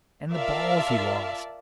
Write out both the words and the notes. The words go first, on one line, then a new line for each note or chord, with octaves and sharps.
And the balls he lost!
F4 A#4 D5 E5 F5 A5